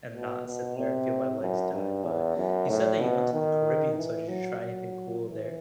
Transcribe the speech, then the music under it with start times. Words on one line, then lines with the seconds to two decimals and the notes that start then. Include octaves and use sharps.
and not sit there and feel my legs die, but, you said that you went to the Caribbean, so, did you try anything cool there?
0.14 B2
0.47 B2
0.77 C3
1.41 F#2
1.74 G2
2.05 E2
2.37 F#2
2.69 A2
3.01 B2
3.33 D#3
3.97 E3
4.28 F#3
4.60 F#3
5.25 E3